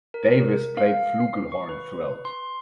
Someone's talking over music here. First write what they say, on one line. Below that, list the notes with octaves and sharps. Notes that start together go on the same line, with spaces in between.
Davis played flugelhorn throughout.
A#4
F5
C7
C#6
B4
C6